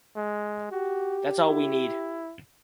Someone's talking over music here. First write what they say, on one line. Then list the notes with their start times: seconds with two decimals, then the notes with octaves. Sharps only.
That's all we need.
0.16 G#3
0.72 F#4 G4
1.47 E4